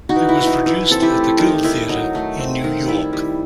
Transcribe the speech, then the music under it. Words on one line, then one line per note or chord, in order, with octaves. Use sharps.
It was produced at the Guild Theatre in New York.
D#4 F#4
E3
E4
E3
D#4
E3 E4
C4 A4
E4 G4
A3
D#3 D#4
D#3 E4
F#3 D#4
A3
C4
D#3
G3 E4
G3